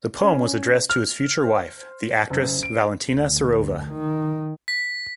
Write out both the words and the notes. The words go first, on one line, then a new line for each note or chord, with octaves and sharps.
The poem was addressed to his future wife, the actress Valentina Serova.
C#4
F6
C5
F#1
D7
D2
D#3
B6